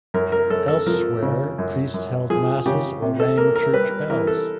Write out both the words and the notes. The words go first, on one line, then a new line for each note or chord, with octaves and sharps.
Elsewhere, priests held masses or rang church bells.
F#2 A#4
A#4
F#2 A4
A4
F3 A#4
C#3
F#2
F#2
F3 G#4
C#3 G4
C3
A4
A#3 A#4
A#4
G3 B4
E3 A#4
A4